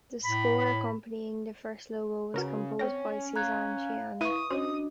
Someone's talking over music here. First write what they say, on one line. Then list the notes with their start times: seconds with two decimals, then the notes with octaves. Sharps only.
The score accompanying the first logo was composed by Suzanne Ciani.
0.24 A2 B5
2.34 C#3 F#4 A#4 B4
2.79 C4 C#4 G5 A#6
3.36 F5 A#5 F#6 G#6
4.21 E4 B4 C#6 D#6 D#7
4.50 C#4 D4 F#4 C5 D#5